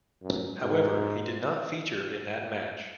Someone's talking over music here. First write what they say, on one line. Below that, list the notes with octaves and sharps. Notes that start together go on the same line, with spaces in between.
However he did not feature in that match.
F#2
G#2